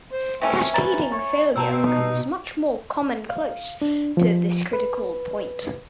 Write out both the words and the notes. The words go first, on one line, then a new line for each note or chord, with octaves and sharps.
Cascading failure becomes much more common close to this critical point.
C5
C3 E3 A3 C#4
B4 A#5 A6
C#5
B2 C4 A5 A#5 E6
D#4
F5
D4
F3
B4